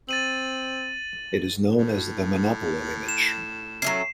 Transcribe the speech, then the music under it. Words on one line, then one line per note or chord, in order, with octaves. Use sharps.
It is known as the Manoppello Image.
C4 A6 D#7 F#7
A2
E7
F#3 A3 C#4 C7